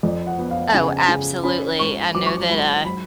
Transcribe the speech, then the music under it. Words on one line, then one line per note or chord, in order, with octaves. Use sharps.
Oh, absolutely. I know that, uh,
F2 D5
F#5
B3
F5
C#3 G#5
C#3
C#4 B5
G#2 C#6
F#3 D6
C#6
D6
G#2 B5
F#3 B5